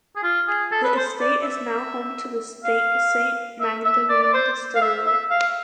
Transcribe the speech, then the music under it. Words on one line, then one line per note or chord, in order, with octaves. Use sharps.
The estate is now home to the St Magdalene distillery.
G#4
F4
G#4
A4
B4
C5
D5
E5
F5
E5
E5
D5
D5
C5
F5
E5
E5
F5